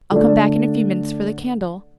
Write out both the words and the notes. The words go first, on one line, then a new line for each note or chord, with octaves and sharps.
I'll come back in a few minutes for the candle.
D3 A3 D4